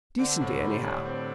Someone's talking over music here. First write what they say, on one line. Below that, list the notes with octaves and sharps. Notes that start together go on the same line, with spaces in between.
Decently, anyhow.
D3 C4
A2
G3
A2 D3
C4